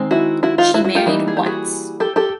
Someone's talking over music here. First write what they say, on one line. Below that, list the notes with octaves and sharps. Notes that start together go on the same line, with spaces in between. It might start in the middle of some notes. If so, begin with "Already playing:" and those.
She married once.
Already playing: D#3 G#3 C4
E4 F#4
E4 F#4
D#4 F4
E4 F#4
E4 F#4
F4 G4
E3 G3 A#3 D#4
G#4
G4
F#4 G#4
G4 A4
G4 A4